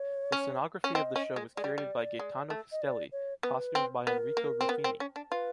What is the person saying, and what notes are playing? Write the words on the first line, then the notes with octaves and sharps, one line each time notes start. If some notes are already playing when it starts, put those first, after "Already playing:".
The scenography of the show was curated by Gaetano Castelli, costumes by Enrico Ruffini.
Already playing: C#5
C#4
C#4
C4 D#5
C#4
G#3
G#3 D5
G3
G3
G#3
A3
D#5
D5
C#5
B3 B4
C4
B3 A#4
A#3
C4
B3
C4
C#4
D4
F4 B4